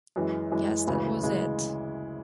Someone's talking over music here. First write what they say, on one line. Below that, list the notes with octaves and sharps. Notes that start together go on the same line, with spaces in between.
Guess that was it.
F#2 E3 G#3
F#2 E3 G#3
D2 C#3 E3 G#3
D2 C#3 E3 G#3